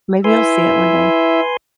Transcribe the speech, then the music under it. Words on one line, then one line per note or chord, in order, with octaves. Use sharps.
Maybe you'll see it one day.
E4 B4 E5 G#5 C6